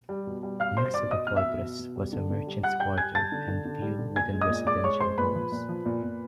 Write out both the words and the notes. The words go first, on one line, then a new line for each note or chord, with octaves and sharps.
Next to the fortress was a merchants' quarter and few wooden residential homes.
G3
B2
G3
B2 F5 F6
G3 C5 C6
B2 D5 D6
B2 D#5 D#6
B2 F6
E5 E6
B2
B2
B2
G3
D3
D3
G3
G3 F#5 F#6
G3 G5 G6
G3 G#5 G#6
G3 A5 A6
D3
D3
D3
G3
D3
A#2 G#5 G#6
G#3
D#5 D#6
A#2
G#3 D5 D6
G#3 C#5 C#6
G#3 C5 C6
A#2 B4 B5
F3
A#2
F3
A#2
A#2